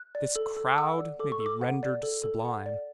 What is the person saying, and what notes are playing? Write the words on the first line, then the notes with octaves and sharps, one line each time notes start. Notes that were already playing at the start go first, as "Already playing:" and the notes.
This crowd may be rendered sublime.
Already playing: F#6
D5
A4
A4
D6
F#5 E6
D5
A4 D6
C#6
A4
D6
F#5
D5
A4
A4
F#5
D5